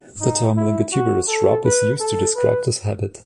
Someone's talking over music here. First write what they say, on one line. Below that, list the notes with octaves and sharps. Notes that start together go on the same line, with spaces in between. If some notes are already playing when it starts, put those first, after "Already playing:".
The term lignotuberous shrub is used to describe this habit.
D#4
E4
F#4
A4
B4
A4
B4